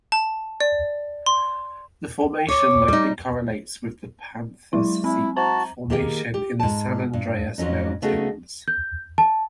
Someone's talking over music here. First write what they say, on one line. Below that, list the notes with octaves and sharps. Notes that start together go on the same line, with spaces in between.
The formation likely correlates with the Panther Seep Formation in the San Andres Mountains.
A5
D5
C6
G5
C#5 D6
G3 D#4
F#3 G#3 E4
C4 E4
F#4 C5 A5 A#5
D#3 A#3 G4 G#4 F#5 G5
G4
G#2 A5
G2
F2 F#3 C4 C#4 D#4
C#3 A3 B3 D#4 F#4 G#4
G6
A5